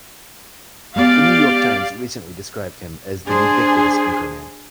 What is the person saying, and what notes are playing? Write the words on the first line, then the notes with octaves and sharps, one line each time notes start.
The New York Times recently described him as the ubiquitous anchorman.
G#3 B3 G4 D5 F5
D4 G#4 C5